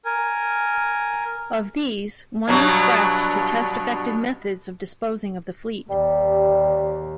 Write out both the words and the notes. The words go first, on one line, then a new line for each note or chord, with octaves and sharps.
Of these, one was scrapped to test effective methods of disposing of the fleet.
A#4 G#5
G2 B2 F#3 A#5 G#6
D#2 G3